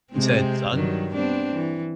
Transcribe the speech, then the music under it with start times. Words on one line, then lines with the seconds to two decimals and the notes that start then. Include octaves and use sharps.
He said, "Son,
0.12 C3 G#3 C4
0.73 G2 D#3 F#3
1.13 B3 C4 D4
1.53 E3